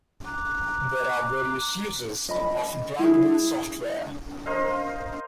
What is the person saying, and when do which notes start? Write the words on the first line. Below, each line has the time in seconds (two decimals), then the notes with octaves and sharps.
There are various uses of brandable software.
0.25 A#5 D6 F#6
2.29 D#5 B5
2.99 E4 G#4
4.46 A#4 C5 D#5 F5